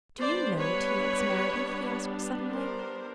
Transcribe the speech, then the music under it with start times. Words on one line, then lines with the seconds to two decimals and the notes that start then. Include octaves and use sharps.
"Do you know T. X. Meredith?" he asked suddenly.
0.20 G3 B3 D4 C5 D5
0.59 B4 C#5
2.51 A#4 C5